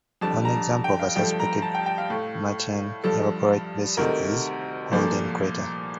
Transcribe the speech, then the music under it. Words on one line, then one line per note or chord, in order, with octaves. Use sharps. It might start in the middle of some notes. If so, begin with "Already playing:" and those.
One example of a suspected Martian evaporite basin is Holden Crater.
F2 D3 G3 A5
A#5
G5
F5
G2 F3 A3 G5
A#5
A5
G5
G5
F5
A2 A3
G2 F3 A3 A4
D2 C3 D#3 A3 A#4
C2 A#2 F3 A3